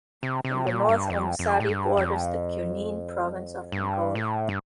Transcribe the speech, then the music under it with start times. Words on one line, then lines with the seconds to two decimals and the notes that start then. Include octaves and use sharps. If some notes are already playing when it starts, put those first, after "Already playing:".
In the north, Omusati borders the Cunene Province of Angola.
0.23 C3
0.45 C3
0.67 A#2
0.89 G2
1.10 F2
1.39 F2
1.60 A2
1.69 G2
1.97 F2
3.72 G2
4.15 A2
4.49 G2